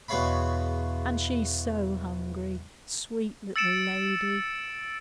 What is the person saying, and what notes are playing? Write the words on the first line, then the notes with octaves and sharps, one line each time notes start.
"And she's so hungry, sweet little lady."
E2 B2 G#3 C#5 F5 B5
E6 A6 C#7 D7 E7